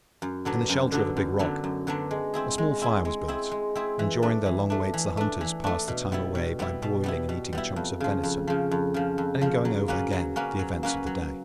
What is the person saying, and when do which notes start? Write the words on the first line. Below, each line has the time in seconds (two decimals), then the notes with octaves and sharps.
In the shelter of a big rock a small fire was built, and during their long wait the hunters passed the time away by broiling and eating chunks of venison and in going over again the events of the day.
0.22 F#2
0.45 D3 F#3 B3 D4
0.70 F#2
0.92 D3 F#3 B3 D4
1.17 F#2
1.39 D3 F#3 B3 D4
1.64 F#2
1.87 D3 F#3 B3 D4
2.11 G#3
2.34 C4 E4 G#4
2.58 G#3
2.81 C4 E4 G#4
3.05 G#3
3.28 C4 E4 G#4
3.51 G#3
3.75 C4 E4 G#4
3.99 E3
4.22 A3 D4
4.46 E3
4.70 A3 D4
4.94 E3
5.17 A3 D4
5.41 E3
5.64 A3 D4
5.88 B2
6.12 G3 B3 E4
6.35 B2
6.59 G3 B3 E4
6.82 B2
7.04 G3 B3 E4
7.29 B2
7.53 G3 B3 E4
7.76 F2
8.00 C#3 F3
8.23 F2
8.47 C#3 F3
8.71 F2
8.94 C#3 F3
9.18 F2
9.41 C#3 F3
9.65 F#3
9.88 A#3 C#4 F#4 B4
10.13 F#3
10.36 A#3 C#4 F#4 B4
10.59 F#3
10.83 A#3 C#4 F#4 B4
11.07 F#3